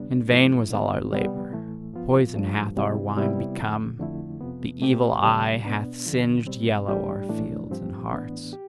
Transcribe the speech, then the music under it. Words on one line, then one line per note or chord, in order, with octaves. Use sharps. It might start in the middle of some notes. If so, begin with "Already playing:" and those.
In vain was all our labour, poison hath our wine become, the evil eye hath singed yellow our fields and hearts.
Already playing: D2 C3 G3 B3 D4
G2 F3 A3 E4
D2 D3 G3 B3
C3 G3 B3
A2 E3 A3
G2 F3 B3 F4
G2 F3 A3
E2 C3 G3 C4 E4
C3 G3 B3 E4
F2 D3 A3
F2 D3 A3 E4
F2 C3 F3 B3
B2 A3 C4 G4
D2 C3 G3
B2 B3 D4
E2 D3 F3
B2 G3 C4
A2 G3 D4 G4
A2 E3 A3 D4
G2 F3 C4 G4
A2 E3 B3 D4
G4